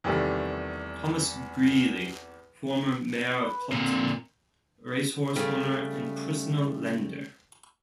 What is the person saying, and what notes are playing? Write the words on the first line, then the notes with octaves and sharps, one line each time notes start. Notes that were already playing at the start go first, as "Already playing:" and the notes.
Thomas Grealy - Former Mayor of Plumpton, racehorse owner and personal lender.
E2 C3 D#3 G3 A3
B4
A#2 D3 C4
C#3 G3 A3